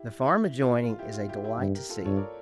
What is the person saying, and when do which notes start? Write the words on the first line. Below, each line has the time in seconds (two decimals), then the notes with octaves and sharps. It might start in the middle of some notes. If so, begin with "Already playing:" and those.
The farm adjoining is a delight to see.
Already playing: E4 G4
0.23 E4
0.62 F4
0.69 E4
0.83 F4
0.99 E4 G4
1.14 F4
1.29 E4 G4
1.44 E4 G4
1.59 G2 E4 G4
1.75 G4 A#4
1.90 F4 A4
2.05 G2 A4 C#5
2.17 A#4 D5